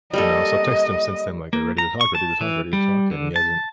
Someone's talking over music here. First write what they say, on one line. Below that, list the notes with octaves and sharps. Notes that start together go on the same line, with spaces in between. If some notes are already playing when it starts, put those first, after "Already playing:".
you know, so, I've texted him since then, like, "Are you ready to talk? Ready to talk? Ready to talk?" and he hasn't
G3 A#3 A4 D#5
A#3
A#5
C#6
A5
E3
G3
D3
A5